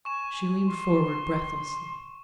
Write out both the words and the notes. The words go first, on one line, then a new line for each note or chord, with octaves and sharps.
She leaned forward breathlessly.
G#5 C#6 E7
C6